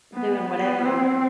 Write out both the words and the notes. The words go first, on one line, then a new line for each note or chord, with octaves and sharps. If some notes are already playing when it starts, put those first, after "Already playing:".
doing whatever,
B3
B3
C4